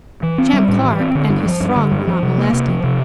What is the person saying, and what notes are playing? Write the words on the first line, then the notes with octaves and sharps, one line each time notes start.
Champ Clark and his throng were not molested.
E3
C4
G3
A2
E3
C4
D3
G2
F3
G2
D3
G2
F3
C3
A#3
C3
F3
C3